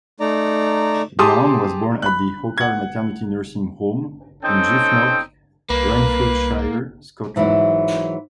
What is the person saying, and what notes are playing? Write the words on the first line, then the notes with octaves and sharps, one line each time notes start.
Brown was born at the Orchard Maternity Nursing Home in Giffnock, Renfrewshire, Scotland.
A3 D#4 D5 A#5
G4 G#4 A5 C6 D#6
B5 F#6
F#5 G#6
C4 C#4 D#4 A4 G5
C2 A#3 B4
G#2 E3 F#3 E4